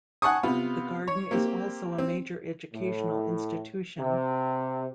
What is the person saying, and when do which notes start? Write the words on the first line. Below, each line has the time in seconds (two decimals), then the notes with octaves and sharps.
The Garden is also a major educational institution.
0.22 F#5 G#5 A5 C#6 D#6
0.43 C3 B3 F4
1.07 C#5
1.31 A#3 C4 G4
1.98 C4
2.73 A2
3.98 C3